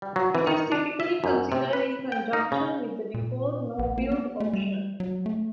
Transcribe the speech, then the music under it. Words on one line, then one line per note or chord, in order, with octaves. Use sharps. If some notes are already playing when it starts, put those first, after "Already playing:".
It is typically considered in conjunction with the default "no-build" option.
G3
F#3
E3
D#3
D4
E5
F#2
C3
B4
G5
D#4
C#3
A#2
A#1
A#3
B3
A3
G3
F#3
A3